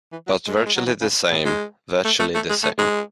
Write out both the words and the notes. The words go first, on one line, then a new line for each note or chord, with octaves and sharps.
But virtually the same, virtually the same.
E3
F#3
G#3
A3
G#3
F#3
E3
C#3
A2
G#3
A3
A3
A3
G#3
A3
G#3